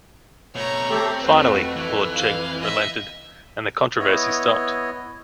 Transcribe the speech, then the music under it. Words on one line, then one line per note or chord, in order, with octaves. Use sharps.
Finally, Lord Cheng relented, and the controversy stopped.
B2 A3 C#5 A#5
A3 C4 G4 A4
F2 A3 F#4 B4
E3
F5
D#5 E5
B3 E4 C#5 D#5